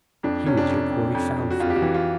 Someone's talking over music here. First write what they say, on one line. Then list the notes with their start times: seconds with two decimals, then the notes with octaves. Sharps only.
Here is your quarry found for you.
0.23 F2 D4
0.46 C3 C#4
0.57 D4
0.69 F2
0.91 F2
1.15 F2
1.36 F2
1.51 F#4
1.60 F2 F4
1.70 G4
1.76 F#4
1.82 E3
1.94 F4